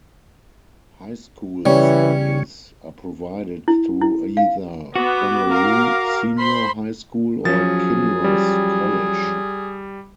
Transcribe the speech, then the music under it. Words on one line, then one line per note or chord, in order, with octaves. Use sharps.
High School studies are provided through either Wanneroo Senior High School or Kinross College.
C#3 E3 G3 C#4
E4
E4
F5
B3 F#4 D6
A#4 F5
C5 B5 C6
F3 F#3 C#4 G#4 A6
G3